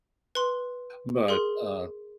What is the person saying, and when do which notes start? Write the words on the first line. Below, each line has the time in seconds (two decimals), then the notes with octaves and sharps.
but, uh
0.35 B4 C6
1.28 G#4 A#4 C6